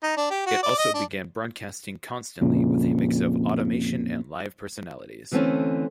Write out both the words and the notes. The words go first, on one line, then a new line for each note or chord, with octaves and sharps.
It also began broadcasting constantly with a mix of automation and live personalities.
D#4
D4
G4
F#4
D5
D#5
D4
F2 A#2 C#3
D3 E3 A3 A#3 C4 C#4